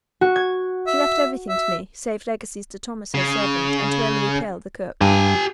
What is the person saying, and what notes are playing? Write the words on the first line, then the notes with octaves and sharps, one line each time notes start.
She left everything to me, save legacies to Thomas her servant, and to Emily Pill, the cook.
F#4
G#6
E5
E5
C#3
G2 G4 G#5